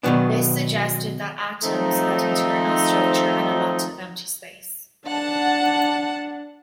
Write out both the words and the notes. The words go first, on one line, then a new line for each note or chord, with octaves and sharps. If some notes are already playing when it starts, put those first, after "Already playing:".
This suggested that atoms had internal structure and a lot of empty space.
B2 D#3 E3 F#3 B3 D4
D#3 F3 A3 C4 D#4
D4 F#5 A5